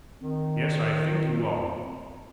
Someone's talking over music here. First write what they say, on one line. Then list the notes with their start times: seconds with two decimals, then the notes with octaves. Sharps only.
'Yes, I think you are.
0.22 D#3 C4